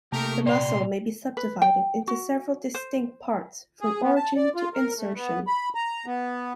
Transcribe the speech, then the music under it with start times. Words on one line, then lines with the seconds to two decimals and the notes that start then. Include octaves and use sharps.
The muscle may be subdivided into several distinct parts from origin to insertion.
0.12 C3 A3 A#3 D#4 G4 A#4 A5
0.46 A#2 D5 G5 A#5 C6 F7
1.37 B4
1.62 G5
2.08 F#4
2.74 C5
3.81 G#4
4.02 B3
4.16 A5
4.36 D5
4.55 F4
4.74 A#4
4.96 A3
5.15 B3
5.47 B5
5.75 A#5
6.06 B3